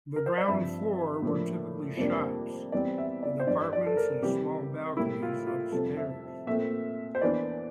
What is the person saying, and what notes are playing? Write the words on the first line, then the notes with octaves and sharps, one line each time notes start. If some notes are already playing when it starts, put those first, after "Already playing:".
The ground floor were typically shops, with apartments and small balconies upstairs.
A#4
C5
D5
G2 F3 C4 E5
A2 F3 A#3 D4
F2 C3 G3 A#3 D4
E2 E3 G3 C4 D5
E5
D5
C5
G2 E3 G3 D4 D5
D5
A4
A#4
C3 E3 G3 G4
A2 G3 A#3 E4
F4
F4
F2 C3 G3 A4
E5
A#2 A3 C4 E5
C5
E2 E3 A#3 D4 D5